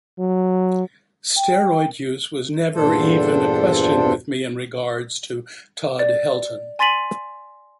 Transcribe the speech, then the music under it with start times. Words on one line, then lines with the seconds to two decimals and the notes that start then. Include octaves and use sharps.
Steroid use was never even a question with me in regards to Todd Helton.
0.19 F#3
1.36 G5
2.74 E2 G2 A#2 D4 A4 C5
5.99 D5
6.79 G#5 C6 A6 B6 D#7 F#7